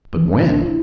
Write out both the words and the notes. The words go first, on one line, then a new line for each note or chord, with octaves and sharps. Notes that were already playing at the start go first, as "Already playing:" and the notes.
"But when?"
E3
F3
D4
F4
E4